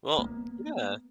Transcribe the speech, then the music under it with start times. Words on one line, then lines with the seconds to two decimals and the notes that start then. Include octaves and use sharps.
Well Yeah.
0.18 A#3 B3